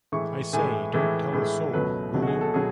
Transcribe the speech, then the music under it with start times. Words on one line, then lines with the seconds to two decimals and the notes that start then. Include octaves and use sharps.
I say, don't tell a soul, will you?
0.12 A2 E3 G#3 C#6
0.53 A2 E3 G#3 G#5
0.93 A2 E3 G#3
1.33 A2 E3 G#3
1.73 C#2 B2 F#3 A3 B4
2.14 C#2 B2 F#3 A3
2.22 F#4
2.27 G#4
2.41 A4
2.54 B2 F#3 G#4